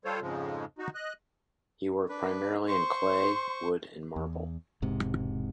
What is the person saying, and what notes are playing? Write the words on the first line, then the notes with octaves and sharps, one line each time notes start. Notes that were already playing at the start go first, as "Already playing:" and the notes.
He worked primarily in clay, wood and marble.
G3 F4 A4 C5 C#5
F2 G#2 C#3 F3 G#3
D#4 F#4
D#5 F#6
D4 B4
C5 C6 C#6
E2
E1 G#2 C3